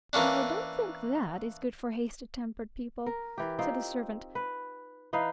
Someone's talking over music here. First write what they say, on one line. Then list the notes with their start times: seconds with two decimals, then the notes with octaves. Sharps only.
"I don't think that is good for hasty-tempered people," said the servant.
0.13 E3 A#3 C#4 D4
3.06 A#4
3.38 E3 G4
3.59 C4 D#4 F4
4.35 B4
5.13 E3 D#4 B4 F5